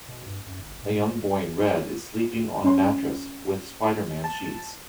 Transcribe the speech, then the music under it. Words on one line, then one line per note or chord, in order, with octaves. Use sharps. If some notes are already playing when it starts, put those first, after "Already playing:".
A young boy in red is sleeping on a mattress with spiderman sheets.
B2
G2
F#2
G1
A#2
C#4 C6
A5